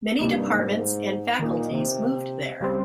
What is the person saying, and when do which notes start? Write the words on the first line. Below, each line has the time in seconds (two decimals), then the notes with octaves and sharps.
Many departments and faculties moved there.
0.19 G2 C3 G3 A#3 D#4
0.49 G#2
1.40 A#2 D#3 A#3 D#4
1.70 C3
2.61 C#3 G3 C4